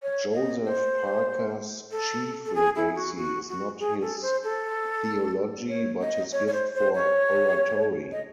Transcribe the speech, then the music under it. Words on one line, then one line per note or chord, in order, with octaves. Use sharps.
Joseph Parker's chief legacy is not his theology but his gift for oratory.
C#5
D#5
C5
A4
A4
G#4
E4
F#4
F#4
F#4
G#4
A4
C5
A4
C#5
D#5
C#5
C#5
C5
C5
C#5
D#5